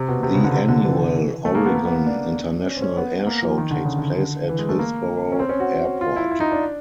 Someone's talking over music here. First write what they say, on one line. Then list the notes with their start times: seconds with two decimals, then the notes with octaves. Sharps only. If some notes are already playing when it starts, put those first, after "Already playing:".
The annual Oregon International Air Show takes place at Hillsboro Airport.
Already playing: C3
0.08 B2
0.23 C3
0.34 C#3
0.44 D3
0.54 C3
0.69 D3
0.84 E3
1.45 A3
1.55 A#3
1.65 B3
1.75 A#3
1.85 B3
1.96 A#3
2.06 D4
2.67 C#4
2.77 C4
2.82 C#4
2.97 B3
3.27 A#3
3.42 F3
3.58 D#3
3.71 D3
3.85 C#3
3.99 D3
4.49 E3
4.59 G#3
4.69 A3
4.79 A#3
5.32 C#4
5.39 C4
5.49 C#4
5.60 F#4
6.01 F4
6.16 E4
6.31 E4
6.40 D#4
6.52 D4